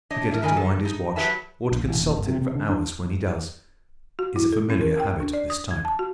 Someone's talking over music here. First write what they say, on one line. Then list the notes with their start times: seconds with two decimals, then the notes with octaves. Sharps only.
Forgetting to wind his watch or to consult it for hours when he does, is a familiar habit of this type.
0.11 D4 C#5 D#5
0.30 D4 E4 F4 A#4
0.41 A2 D3 D#3 A#4 D5 G#5
0.56 D3 A4
0.85 D#4
1.16 F#3 G4 G#4 B4 E5 A5
1.71 A#1
1.84 A1
2.01 D#1
2.15 G1
2.27 C3
2.42 C3
2.55 D3
2.69 D4
4.19 F#4
4.36 E4
4.52 A4
4.70 C#4
4.81 A#4
5.00 G5
5.20 D4
5.33 D5
5.50 D#6
5.71 G#6
5.85 A5
5.99 F#4